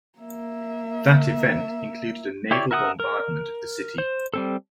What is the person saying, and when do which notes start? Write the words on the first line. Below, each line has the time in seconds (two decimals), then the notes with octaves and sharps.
That event included a naval bombardment of the city.
0.19 A#3 E5
2.51 E4 G4 C#5 D5
2.71 A#4 E5 F#5 A5 D#6
3.00 A#4
3.98 C5
4.34 G3 C4 A4